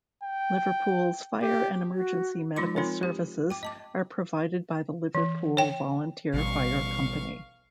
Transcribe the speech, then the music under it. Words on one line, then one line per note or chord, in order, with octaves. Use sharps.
Liverpool's fire and emergency medical services are provided by the Liverpool Volunteer Fire Company.
G5
G4
F#4
F3 G#3 D#4 F4 C6 D6
C4 D#4 F4 A#4 C#5
G4
G5 D6
D#5 A5 D6
E3
C#5 G5
A1 B2 G3 F5 C#6